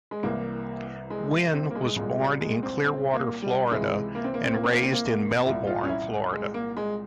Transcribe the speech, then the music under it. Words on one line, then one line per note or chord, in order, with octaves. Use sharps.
Wynne was born in Clearwater, Florida, and raised in Melbourne, Florida.
G#3
C2 C3 E3 A#3
G#3
C4
A#3
G#3
C2 A#2 G#3
G3
G#3
C4
C4
A#3
G3
C#2 C3 E3 G#3
A#3
C4
A#3
C4
A#3
C4
A#3
C4
A#3
C2 A#2 E4
F4
C#4
E4
G#3
A#3
G#3